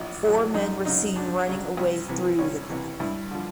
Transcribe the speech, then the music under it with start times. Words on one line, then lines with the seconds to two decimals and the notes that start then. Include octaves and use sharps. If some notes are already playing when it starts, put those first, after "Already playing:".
Four men were seen running away through the crowd.
Already playing: A#1 A2 F#3
0.24 A2 F#3
0.54 F#2 D#4
0.85 C#3 F#3 D#4
1.16 F#2 D4
1.47 C#3 F#3
1.77 C2
2.08 C3 E3
2.39 C2 C#4
2.70 C3 E3
3.00 G2 E4
3.31 D3 F3